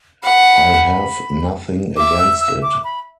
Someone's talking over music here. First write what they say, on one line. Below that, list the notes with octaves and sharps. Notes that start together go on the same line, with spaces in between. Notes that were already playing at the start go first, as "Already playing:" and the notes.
I have nothing against it.
F#5 B5
E5 D6
E6
E6
D6
B5